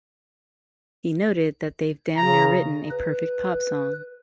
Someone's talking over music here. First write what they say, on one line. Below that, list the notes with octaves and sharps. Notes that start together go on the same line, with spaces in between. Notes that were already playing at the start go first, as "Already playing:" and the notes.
He noted that they've damn near written a perfect pop song.
C#3 A#5
B4